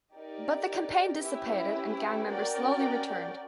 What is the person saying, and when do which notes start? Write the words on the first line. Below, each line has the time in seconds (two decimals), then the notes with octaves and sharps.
But the campaign dissipated, and gang members slowly returned.
0.14 D#4 G4 A#4 D5
1.20 C#4 E4 G4 B4 E5
2.27 C#4 F#4 A#4 D5 G5